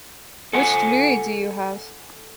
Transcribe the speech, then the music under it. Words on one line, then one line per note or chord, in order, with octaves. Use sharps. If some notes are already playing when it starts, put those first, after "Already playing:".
Which degree do you have?
A4 F#5 G#5